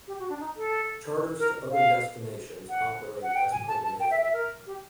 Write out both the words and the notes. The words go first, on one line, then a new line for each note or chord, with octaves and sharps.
Charters to other destinations operate as per demand.
G4
F#4
D4
D#4
A4
A#4
F5
F#5
F#5
G5
G#5
A5
A5
G5
E5
E5
A#4
G4